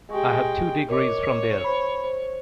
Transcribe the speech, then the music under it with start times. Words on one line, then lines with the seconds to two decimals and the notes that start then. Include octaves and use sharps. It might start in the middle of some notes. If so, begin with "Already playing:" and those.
I have two degrees from there.
0.11 G#3 G4 G5 C#6
0.89 A#4 C#5 D#5 D6
1.64 C5 B5
2.04 C5